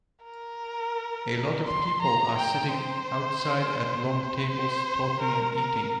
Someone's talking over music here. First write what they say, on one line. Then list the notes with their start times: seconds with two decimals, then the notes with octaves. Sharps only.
A lot of people are sitting outside at long tables talking and eating.
0.24 A#4
1.65 C6
2.02 A#5
2.37 G5
2.72 C5
4.50 C5
5.20 A#4
5.55 A#4